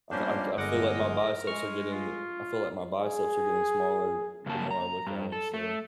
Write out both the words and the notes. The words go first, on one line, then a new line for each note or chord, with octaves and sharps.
Also, I c I feel like my biceps are getting I feel like my biceps are getting smaller the more I look at 'em, so
F3 G3 A#3 B3 C#4 D4 C5
G1 G#3 A#4 D#5 F#5 D6
G#3 C#6 F6
F4
G#4
F2 C#3 A#3 A#4 A5
A#5
G2
A4
A3